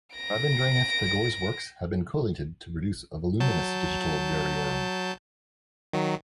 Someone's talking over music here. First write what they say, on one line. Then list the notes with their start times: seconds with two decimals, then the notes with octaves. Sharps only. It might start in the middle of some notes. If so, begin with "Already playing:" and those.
Rabindranath Tagore's works have been collated to produce a voluminous digital variorum.
0.16 A#6 D7
3.40 F#3 A5 G6
5.93 D#3 F#3